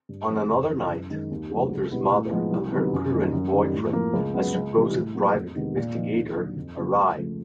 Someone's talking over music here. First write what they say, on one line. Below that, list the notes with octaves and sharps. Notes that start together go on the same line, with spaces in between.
On another night, Walter's mother and her current boyfriend, a supposed "private investigator", arrive.
G2
E3 A3 C4 E4
F2
C3 E3
F#2
D#3 G#3
D#2
D3 F#3 A3
C#2
B2 G3 B3 E4
A2
F3 G#3 B3 D#4
C2
C3 D#3 F#3 B3
F#2
D#3 G3 A#3
F#2
D#3 G3
A2
F3 A#3
C#2
C#3 F#3 B3
C#2
C3 E3 G3
A2
F#3 A#3
F2
C3 D#3 G#3 B3
A#2
F3 A#3 D#4
D#2
D3 F#3
F2
C#3 F#3 A#3
C#2
C#3 F3 A3